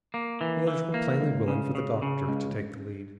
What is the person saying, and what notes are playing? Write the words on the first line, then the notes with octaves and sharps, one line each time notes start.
The others were plainly willing for the doctor to take the lead.
A#3
E3
E3
A#3
C#2
C#3
C#3
C#3
C#2